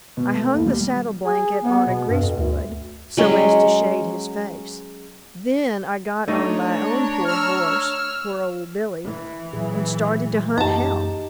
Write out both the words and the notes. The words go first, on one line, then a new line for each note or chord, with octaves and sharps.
I hung the saddle-blanket on a greasewood so as to shade his face; then I got on my own poor horse, poor old Billy, and started to hunt help.
B2
A3
D#2
G3
G#4
B3
B2
G2
F2
D2
F#3 G#3 C#4
A3 D4 D#4 C#5 A#5
E6 F6
E3
A#2 F#3 G#4
F#2 A#3 D#4 G4 A5 A#5